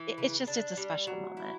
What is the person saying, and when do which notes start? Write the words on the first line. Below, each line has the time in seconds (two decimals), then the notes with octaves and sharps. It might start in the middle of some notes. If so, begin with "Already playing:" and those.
it it's just it's a special moment.
Already playing: E3
0.18 C#3
0.47 D4
0.77 G3
1.07 F#3
1.37 E4